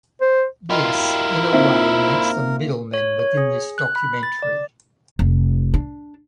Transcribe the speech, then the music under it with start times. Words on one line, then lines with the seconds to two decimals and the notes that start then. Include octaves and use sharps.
This in a way makes them middlemen within this documentary.
0.21 C5
0.70 E4 F4 A#4 D#5 G5 B5
1.53 A#2 C4 D#4 C5 E5
2.94 C#5
3.19 C#5
3.37 G#4
3.78 F#6
3.96 B5
4.23 A6
4.42 D5
5.19 F1
5.74 D4